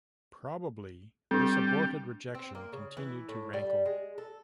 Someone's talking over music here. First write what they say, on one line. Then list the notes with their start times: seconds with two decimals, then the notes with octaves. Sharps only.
Probably this aborted rejection continued to rankle.
1.31 G3 C4 D4
2.35 C4
2.55 A#3
2.72 C#3
2.97 E3
3.29 A2
3.53 G3
3.86 G#3
4.18 A4